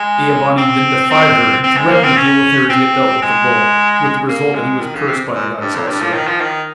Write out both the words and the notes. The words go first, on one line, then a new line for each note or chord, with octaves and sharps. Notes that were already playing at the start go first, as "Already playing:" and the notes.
Ea-bani then defied her and threatened to deal with her as he had dealt with the bull, with the result that he was cursed by the goddess also.
Already playing: G#3
C4
C4
C4
G#3
A#3
C4
C#4
C4
G#3
A#3
G#3
D#3
C#3
C3
G#2
G2
F2
G2
F3
D#3
F3
D#3